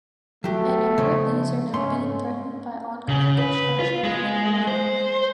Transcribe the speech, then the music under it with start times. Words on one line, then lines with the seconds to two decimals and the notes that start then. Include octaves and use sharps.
A number of these are now being threatened by ongoing construction in the area.
0.44 F#3 A3 G4
0.98 C#3 F3 G#3
1.74 G#2 A3 C#4 C6
3.09 C#3
3.38 B4
3.79 F4
4.04 G#3
4.68 C5